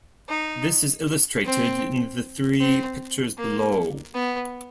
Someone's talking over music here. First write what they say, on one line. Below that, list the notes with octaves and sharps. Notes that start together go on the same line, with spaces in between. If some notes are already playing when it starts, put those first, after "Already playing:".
This is illustrated in the three pictures below.
D#4
C4
C4
A#3
B3